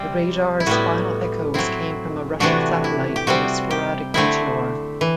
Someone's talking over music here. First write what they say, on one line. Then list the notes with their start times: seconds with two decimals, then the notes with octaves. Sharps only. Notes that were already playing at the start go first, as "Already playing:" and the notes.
The radar's final echoes came from a Russian satellite and a sporadic meteor.
Already playing: C3 G3 C4
0.60 E4
0.66 A2 G3 B3 F#4
1.54 F#3 C4 E4
2.40 C3 E3 A3 D4 F#4
2.84 E4
3.16 G4
3.27 C3 G3 C4 F#4
3.71 G4
4.14 D3 A3 C4 E4
5.01 E3